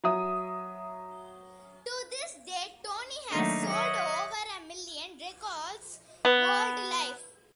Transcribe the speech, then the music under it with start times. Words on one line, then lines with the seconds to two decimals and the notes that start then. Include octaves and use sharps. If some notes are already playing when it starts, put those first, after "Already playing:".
To this date Tony has sold over a million records worldwide.
0.04 F#3 E5 D#6
3.31 D#3 F#3 A3 A#3 D4 D#4
3.70 C#5 D#5 E5 F#5
6.25 B3